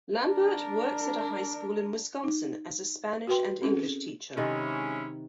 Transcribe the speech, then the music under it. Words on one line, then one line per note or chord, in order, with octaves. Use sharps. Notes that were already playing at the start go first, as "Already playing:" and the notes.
Lambert works at a high school in Wisconsin as a Spanish and English teacher.
D4 A#4
D#4
F#4 A#4 B4 G5 C6
C4 C#4 E4 G#4 A4
C3 D#3 G#3 C#4 E4